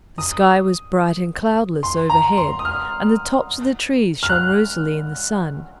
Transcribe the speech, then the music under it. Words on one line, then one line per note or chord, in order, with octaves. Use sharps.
The sky was bright and cloudless overhead, and the tops of the trees shone rosily in the sun.
D#6
C6
A#5
C6
D#6
F6
F6
F#6